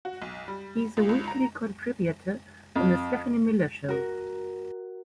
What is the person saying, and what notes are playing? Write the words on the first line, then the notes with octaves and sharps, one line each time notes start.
He is a weekly contributor on "The Stephanie Miller Show".
F#4
B1
G3
C#2
C#2
A#5
F2
F#4 A#4